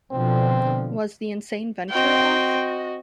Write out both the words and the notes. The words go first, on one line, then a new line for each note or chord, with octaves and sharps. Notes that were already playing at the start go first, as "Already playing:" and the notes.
Was the insane venture off?
B2 D3 F3 C4
C4 F#4 D#5 G5